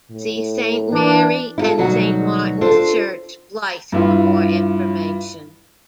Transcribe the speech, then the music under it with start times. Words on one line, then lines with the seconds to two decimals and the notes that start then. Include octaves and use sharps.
See Saint Mary and Saint Martin's Church, Blyth for more information.
0.11 A2
0.92 E3 D4
1.58 E4 F4 A4
1.78 D2 B2 F#3 G3 D#4 F#4
2.61 D4 F4 A4 C5
3.92 G2 E4 F4